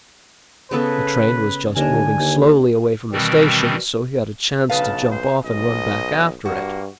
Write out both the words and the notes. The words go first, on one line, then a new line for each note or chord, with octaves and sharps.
The train was just moving slowly away from the station, so he had a chance to jump off and run back after it.
C#3 B3 A4 B4
D#2 D3 D4 A#4 G#5
D#2
B2 D#3 E3 G3 C4
B1 C#3 B4 F5 A5
C5
B1 D#5
G2 A#3 F#4